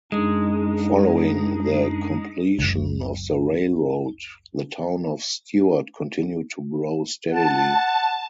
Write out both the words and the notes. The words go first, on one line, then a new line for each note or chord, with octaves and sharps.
Following the completion of the railroad, the town of Stuart continued to grow steadily.
F#2 G#3 D4 D#4
F#1 C#2
F#5 A5